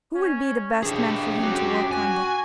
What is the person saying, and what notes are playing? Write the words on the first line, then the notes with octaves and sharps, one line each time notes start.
Who will be the best man for him to work under?'
C#4
D4 G4 G#4
C#4 F#4
F#4 G#5